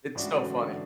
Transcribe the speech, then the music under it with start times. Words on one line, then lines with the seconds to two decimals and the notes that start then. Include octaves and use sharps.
It's so funny.
0.15 A1 A2 G#3 D4 F#4
0.29 D3 F#3
0.42 C#3 E3
0.56 D3 F#3